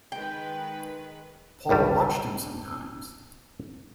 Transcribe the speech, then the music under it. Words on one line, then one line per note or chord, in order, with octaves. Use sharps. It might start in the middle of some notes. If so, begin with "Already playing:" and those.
Paul watched him sometimes.
D#3 G#3 B4 G5
G#1 C#2 G2 G3